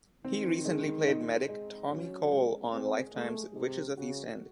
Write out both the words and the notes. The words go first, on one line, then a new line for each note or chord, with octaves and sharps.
He recently played medic Tommy Cole on Lifetime's "Witches of East End".
D#3 C4
G#3
D#4
G#3
F#3 C#4
G#3
C4 G#4
G#3 A3
C3 G#3
C#3 F#4